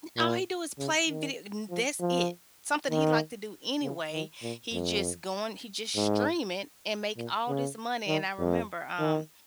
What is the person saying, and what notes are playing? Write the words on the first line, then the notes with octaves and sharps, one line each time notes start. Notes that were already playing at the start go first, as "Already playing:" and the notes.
N All he do is play video and that's it. Something he like to do anyway. He just going he just stream it and make all this money. And I remember, um,
A#2
C#3
D#3
F3
F3
D#3
C#3
D#3
A#2
F2
G#2
A#2
C#3
D#3
F2
D#3